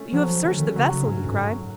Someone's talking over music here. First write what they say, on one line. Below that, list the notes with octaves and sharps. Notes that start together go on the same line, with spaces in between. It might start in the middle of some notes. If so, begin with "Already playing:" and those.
"But you have searched the vessel?" he cried.
Already playing: A3 C#4
F3 F#3
D3 A3 C#4
D#3
D3
C#3 F#3
G#2 C#4
G2 A3
G#2
F#3